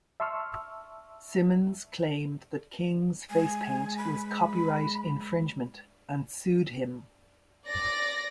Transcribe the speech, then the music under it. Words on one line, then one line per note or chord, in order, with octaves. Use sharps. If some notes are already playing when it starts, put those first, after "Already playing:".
Simmons claimed that King's face paint was copyright infringement and sued him.
E5 A5 C6 C#6 E6 F6
G#3 G#5
B5
D5 A#6